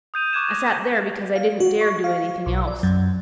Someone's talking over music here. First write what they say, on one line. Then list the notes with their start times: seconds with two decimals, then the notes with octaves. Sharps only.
I sat there because I didn't dare do anything else.
0.14 D#6 G6 D#7 F7
0.33 C#6 D6 F#6 G#6 E7
0.52 A#6 E7
1.36 F5
1.60 F#4
1.81 C#6
2.04 F5
2.46 B1
2.68 D5
2.83 F#2